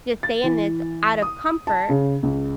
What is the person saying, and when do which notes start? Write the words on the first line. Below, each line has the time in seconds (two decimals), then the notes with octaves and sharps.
just stay in this out of comfort,
0.23 A6
0.44 E3
1.22 D#6
1.67 A5
1.89 C#3
2.23 C#2